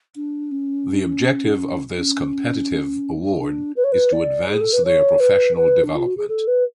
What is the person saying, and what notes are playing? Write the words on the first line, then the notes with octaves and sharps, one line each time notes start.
The objective of this competitive award is to advance their professional development.
D4
C#4
C#4
D4
B4
C#5
B4
D5
G#4
A4
B4
C#5
B4
B4
D4
F4
F#4
G#4
A4
B4